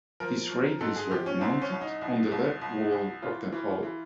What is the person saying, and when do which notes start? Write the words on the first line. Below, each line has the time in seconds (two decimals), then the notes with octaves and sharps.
His radios were mounted on the left wall of the hull.
0.20 F3 A#4
0.51 F3
0.81 G#2 A4
0.96 G#4
1.11 F3 G4
1.26 C#4
1.41 C2 C4
1.61 C#4
1.72 C2
1.81 D#4
2.01 C2
2.32 C2
2.62 C2
2.92 C2
3.22 E3 F4
3.52 E3
3.83 E3